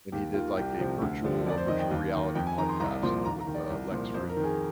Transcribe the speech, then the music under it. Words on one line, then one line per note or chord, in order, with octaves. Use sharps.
and he did, like, a virtual a virtual reality podcast with, uh, Lex Fridman.
D#2 G4
D#3 F4
C2 G4
C3 F3
D2
D3 F3
F2 D5
C5
D#3 D#5
G5
D#2
D#3
F2 G5
G#5
D#3 A#5
C6
C2 A#5
A#2 F3 C6
D#2 A#5
A#5
D#3
D5
C2
A#2 F3
F2 C5
A#4
D#3
G#4